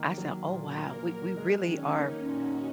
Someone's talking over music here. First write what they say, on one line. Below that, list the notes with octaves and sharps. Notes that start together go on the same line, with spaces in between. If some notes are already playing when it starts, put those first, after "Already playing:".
I said, "Oh, wow. We we really are"
Already playing: D#3 A#3
F#3
A#2
A#3 A#4
F#3
G#3 G#4
D#3 C#4
A#3 D#4
A#2 F#4